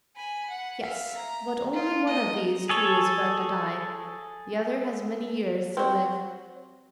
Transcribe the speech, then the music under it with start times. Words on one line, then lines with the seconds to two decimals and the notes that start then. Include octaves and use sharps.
"Yes; but only one of these two is about to die; the other has many years to live."
0.16 G#5 B5
0.50 F#5
0.82 E5 F5
1.17 A#5
1.73 F4
2.07 A#3 D#5
2.69 G#4 A4 C#5
5.77 C4 F#4